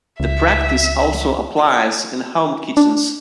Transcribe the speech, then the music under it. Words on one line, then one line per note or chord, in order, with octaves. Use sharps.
The practice also applies in home kitchens.
C#2 E5
D4